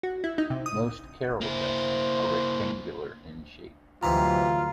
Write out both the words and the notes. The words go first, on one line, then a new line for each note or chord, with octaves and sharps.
Most carrel desks are rectangular in shape.
F#4
E4
D#4
C3
D#6
A#3 E4 C5
D2 G#2 C3 E3 F#3 F4 A#5